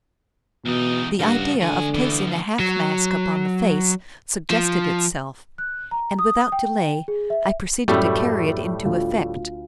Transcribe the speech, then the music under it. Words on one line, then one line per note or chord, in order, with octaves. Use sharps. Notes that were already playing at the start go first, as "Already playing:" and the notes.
The idea of placing a half-mask upon the face suggested itself, and without delay I proceeded to carry it into effect.
E2 B2 D#4
G2 C#3 F#4
D3 A3 G#5
D2 E3
F#3
F3
F#6
A#5
D#6
G5
G#4
E5
F#2 A2 G3 A3
D2 F4